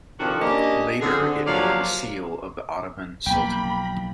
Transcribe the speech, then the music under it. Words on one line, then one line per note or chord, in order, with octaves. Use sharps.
Later, it bore the seal of the Ottoman sultan.
C3 D#3 F3 D4 F#4 A4
A#3 C#4 D4 G4 D#5
D3 C4 G#4
D3
F3 F#3 A#3 G4 D5 F5
B1 F2 B2 A#3 G5 B5